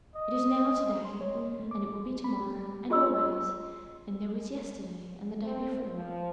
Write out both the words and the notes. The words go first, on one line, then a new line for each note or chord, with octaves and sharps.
"It is now today, and it will be tomorrow, and always; and there was yesterday, and the day before..."
D#5
C6
C#5
A#3
A3
D6
B5
G4
F4 G#4 D#5 C6 E6
C4
F3